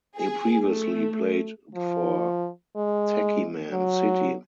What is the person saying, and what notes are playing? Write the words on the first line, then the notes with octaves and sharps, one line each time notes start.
He previously played for Techiman City.
G#4
A3
F3
G#3
F#3